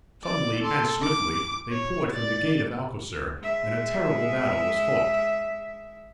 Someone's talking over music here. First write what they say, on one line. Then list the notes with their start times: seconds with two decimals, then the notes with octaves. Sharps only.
Suddenly and swiftly they poured from the gate of Alcocer, and a terrible battle was fought.
0.25 D5 D6
0.62 A4 C6
1.02 D6
1.70 C#5
2.13 D5 A6
3.38 G#3 E5